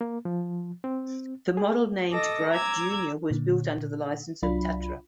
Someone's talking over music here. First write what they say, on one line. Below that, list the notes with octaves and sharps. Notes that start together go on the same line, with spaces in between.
The model named "Greif Junior" was built under the licence of Tatra.
A#3
F3
C4
G#4
A4 D#5 D6 A#6
A#5 D6 E6 G#6
A#2 D3
C2 F#3 D4 F4 B5